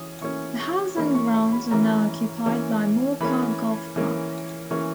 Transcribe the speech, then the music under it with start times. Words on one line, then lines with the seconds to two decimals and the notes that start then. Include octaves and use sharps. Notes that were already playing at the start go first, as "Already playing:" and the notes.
The house and grounds are now occupied by Moor Park Golf Club.
Already playing: E3 C#4 D#6
0.21 E3 A#3 C#4 C#6
0.60 C#6
0.97 E3 A#3 C#4 B5
1.15 C#6
1.34 C#6
1.52 B5
1.71 E3 A#3 C#4 A#5
2.46 E3 A#3 C#4
3.20 E3 A#3 C#4 B5
3.96 E3 A#3 C#4
4.71 E3 A#3 C#4 C#6